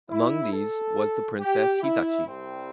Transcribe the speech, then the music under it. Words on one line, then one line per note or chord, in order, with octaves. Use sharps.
Among these was the Princess Hitachi.
E4
A4
G4
E4
C2 C3 G3 C4